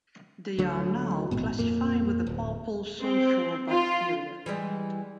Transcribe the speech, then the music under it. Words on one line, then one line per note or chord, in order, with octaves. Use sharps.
They are now classified with the purple sulfur bacteria.
D2 F#3
A1 G#2 B2
F2 A#2 A#3
D1
C4
F4
E3 G3 G#3